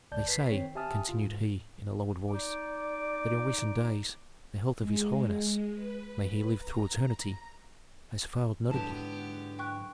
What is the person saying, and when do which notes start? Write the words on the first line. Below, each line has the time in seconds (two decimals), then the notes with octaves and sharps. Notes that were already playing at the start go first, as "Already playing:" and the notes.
"They say," continued he, in a lowered voice, "that in recent days the health of his holiness--may he live through eternity!--has failed notably."
0.12 C#2 D5 A5 G6
0.28 B4 B6 C7
0.50 D#3 C4 C#5
0.75 G4 E5 G#5 A5 D#6 F6
1.09 F4
1.23 G#2
2.32 D#4 D5 D6
4.78 G#3
5.74 B4
6.55 A#5
8.71 G#2 D3 F#3 B3 E4 G4 A5
9.59 G5 C#6 F#6